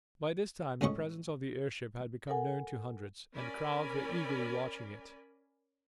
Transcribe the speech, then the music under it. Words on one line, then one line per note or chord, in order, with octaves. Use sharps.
By this time the presence of the airship had become known to hundreds, and crowds were eagerly watching it.
C#2 A2 C#3 C#4 D#5 C#6
A4 A#4 F#5 G#5
C#4 A#4 D5 G#5 B5